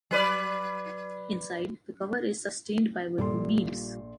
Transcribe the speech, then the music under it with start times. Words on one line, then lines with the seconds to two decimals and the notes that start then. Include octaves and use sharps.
Inside, the cover is sustained by wooden beams.
0.11 F#3 B4 D5
3.18 A#1 A#2 G3 A4 C6